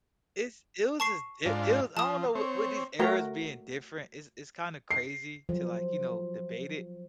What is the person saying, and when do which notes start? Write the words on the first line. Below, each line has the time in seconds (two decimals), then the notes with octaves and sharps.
It's it was just di it was I don't know, w with these eras being different, it's it's kinda crazy to, like, you know, debate it.
1.00 A5 C#6 C7
1.46 G#2 D4 F4
1.97 F3 A5 D#6
2.35 C4 C#5
2.99 A3 F#4 A#4 A#5
4.91 C7
5.49 F3 F#3